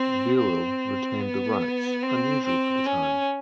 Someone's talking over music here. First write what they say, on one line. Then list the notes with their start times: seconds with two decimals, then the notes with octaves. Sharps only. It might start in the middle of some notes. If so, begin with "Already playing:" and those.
Buell retained the rights, unusual for the time.
Already playing: C4
0.37 C4
1.20 B3
2.03 C4
2.45 C4
2.86 C#4